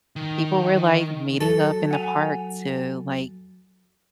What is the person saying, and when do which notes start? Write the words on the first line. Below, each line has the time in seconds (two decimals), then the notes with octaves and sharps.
people were, like, meeting up in the park to, like,
0.16 D#3
1.41 F#3 A4
1.91 F#5 G#5 F7